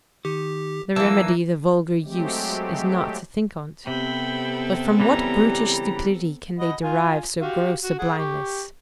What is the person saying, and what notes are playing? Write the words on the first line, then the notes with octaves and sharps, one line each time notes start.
The remedy the vulgar use is not to think on't; but from what brutish stupidity can they derive so gross a blindness?
D#3 G4
E3 F#3 A#3 D5 A5 E6
F#3 G#3 A3 C4 G4
C3 B3 C4 G4 A4 G5 B5
C#3 E3 G3 G4 A#5
D#5 F#5 B5
F4 G#5
F#4 G4 F5
F#4
G#4 F#5
G4 C#6